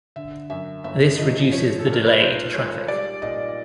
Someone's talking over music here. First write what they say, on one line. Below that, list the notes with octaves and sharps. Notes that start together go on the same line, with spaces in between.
This reduces the delay to traffic.
D3 E5
F#2 E5
G1 E5
F3 D#5
F3 C#5
A4
A#2
A#4
B4
B1 C5
G#3 C#5
G3 D5
A#2 D#5